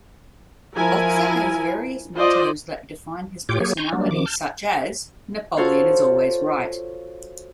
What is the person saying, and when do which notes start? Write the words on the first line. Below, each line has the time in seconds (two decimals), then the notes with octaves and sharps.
Boxer has various mottoes that define his personality, such as: Napoleon is always right.
0.76 F3 E4 A#4 G#5
2.16 F4 C5 D5 D#5
3.49 A2 F4 G4 C#5 G5 D6
3.60 F#3 A#3 G4 G#4 C#5
3.77 G#5 A#5 C6 C#6 G6
3.92 F#3 G3 A#3 D4
4.11 D#3 F3 D6
4.26 A5 F6 G6
5.57 F4 F#4 A4 C5 C#5 F5